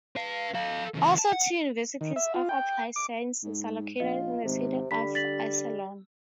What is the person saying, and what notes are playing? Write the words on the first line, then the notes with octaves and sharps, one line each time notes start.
Also two universities of applied sciences are located in the city of Iserlohn.
B4 F5
A4 F5
C#3 E3
A5
F#5
D#3
E5
F4
G5
D6
G#2
A#1 F4 D#5
G#1 C3
D3 G3 B5 B6
A6 B6 F#7